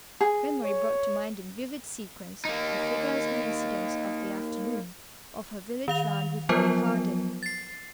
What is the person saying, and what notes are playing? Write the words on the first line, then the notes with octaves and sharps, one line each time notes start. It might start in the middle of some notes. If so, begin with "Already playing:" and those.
Memory brought to mind in vivid sequence the figures and incidents of the afternoon, of her village round with Mary Harden.
G#4
C#5
A#3 D#4
D#3 F5 F7
F3 F#3 B3 F4 A#4 C5
A6 C7